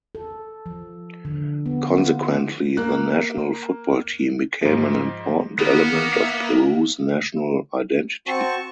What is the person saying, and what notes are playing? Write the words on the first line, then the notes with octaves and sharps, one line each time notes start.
Consequently, the national football team became an important element of Peru's national identity.
A4
F3
D3
B3
F4
A#3 F#6
G#2 F3
D#3 A#3 B3
E5
C4 F#4 A5 C#6